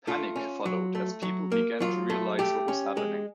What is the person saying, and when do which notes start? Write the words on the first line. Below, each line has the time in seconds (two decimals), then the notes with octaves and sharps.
Panic followed as people began to realize what was happening.
0.07 A3 F4
0.36 C#4
0.66 F#3
0.95 A3
1.23 F#3
1.52 A#3
1.80 F#3 F4
2.10 A3
2.39 A3 G4
2.68 C#4
2.97 G#3